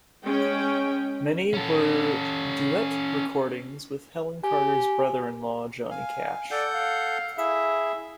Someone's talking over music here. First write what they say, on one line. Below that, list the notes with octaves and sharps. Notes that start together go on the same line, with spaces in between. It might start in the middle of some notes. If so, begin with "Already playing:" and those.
Many were duet recordings with Helen Carter's brother-in-law Johnny Cash.
G#3 C#4 G5
C#4 A4
G4 G#5
F5 G#5
A4 D5 F#5 G6
F5
E4 G#4 E5